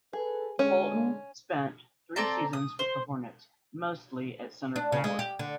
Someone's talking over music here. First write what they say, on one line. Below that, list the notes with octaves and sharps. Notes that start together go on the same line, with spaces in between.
Holton spent three seasons with the Hornets, mostly at centre forward.
G#4 A4 B4
D3 G#3 C#4
C4 A4 D5 A#5
D#6
C5
D4
C#3
G#3
G4
D3